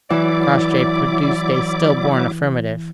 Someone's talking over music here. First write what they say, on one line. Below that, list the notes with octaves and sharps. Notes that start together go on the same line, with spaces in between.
Crossjay produced a still-born affirmative.
E3 F#3 E4 D5 D6